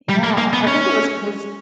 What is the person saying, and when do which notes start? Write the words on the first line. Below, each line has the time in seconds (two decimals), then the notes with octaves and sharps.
Yeah, I think it was because, eh
0.09 G3
0.24 A#3
0.38 A#3
0.53 B3
0.67 C#4